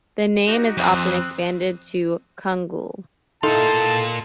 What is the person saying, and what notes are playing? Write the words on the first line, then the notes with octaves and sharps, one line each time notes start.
The name is often expanded to Kungl.
D#4 F#4 G4
F2 C4 F#6
A2 A#3 D#4 F4 A4 A5